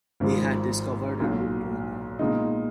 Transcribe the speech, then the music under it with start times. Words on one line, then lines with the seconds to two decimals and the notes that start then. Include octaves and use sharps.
He had discovered a route to India.
0.20 G#1 G#2 F3
1.20 B1 A#2 F#3
2.19 A#2 G#3 B3 D#4